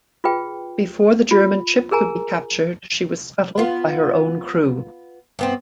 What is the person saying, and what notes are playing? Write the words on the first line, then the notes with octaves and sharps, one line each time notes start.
Before the German ship could be captured she was scuttled by her own crew.
F4 G#4 B4 G5
F4
G#4 A#4 G#5 A#5
B3 F4
G2 B3 C4